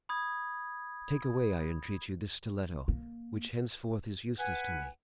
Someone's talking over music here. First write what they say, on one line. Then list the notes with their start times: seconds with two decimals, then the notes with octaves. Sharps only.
Take away, I entreat you, this stiletto, which henceforth is useless to me.
0.09 B5 D#6 G#6
2.88 A#3
4.39 B4 F#5 G#5